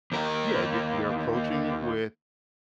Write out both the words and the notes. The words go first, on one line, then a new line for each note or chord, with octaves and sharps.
Yeah, you you're approaching it with,
D#2 A#4